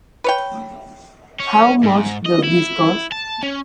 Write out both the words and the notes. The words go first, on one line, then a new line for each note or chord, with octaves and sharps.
How much does this cost?
B4 C#5 G5
C#4
G#2
D#5
E4
A5
C#4